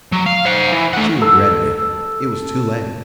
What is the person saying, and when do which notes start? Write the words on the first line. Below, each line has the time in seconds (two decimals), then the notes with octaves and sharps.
She regretted it. It was too late.
0.12 F#3
0.26 F5
0.46 C5 F#5
0.72 E3
0.94 A3 F#5
1.21 A4 E6